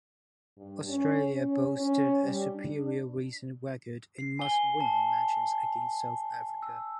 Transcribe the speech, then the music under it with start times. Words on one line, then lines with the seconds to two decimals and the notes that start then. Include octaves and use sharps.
Australia boasted a superior recent record in must-win matches against South Africa.
0.57 G2
0.89 C#4
1.35 C#4
1.76 C#4
2.24 G3
2.53 D4
4.18 C7
4.39 G#5 G7
4.81 A5
6.62 E6